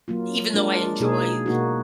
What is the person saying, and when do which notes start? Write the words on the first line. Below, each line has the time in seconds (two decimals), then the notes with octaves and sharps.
even though I enjoy
0.08 F#3 A#3 F4
0.54 G#3 D4 F4 A#4
1.00 B2 A#3 D#4 G#4
1.46 B2 A#3 D#4 F#4